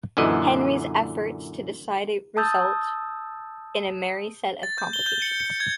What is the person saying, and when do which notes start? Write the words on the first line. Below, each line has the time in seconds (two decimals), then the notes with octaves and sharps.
Henry's efforts to decide result in a merry set of complications.
0.17 F#2 A#2 D3 E3 D#5
2.37 A5 D#6 E6 G6 A6
4.63 A6
4.78 G6
4.93 G7
5.06 G6
5.22 C#7
5.40 C#7
5.60 G#6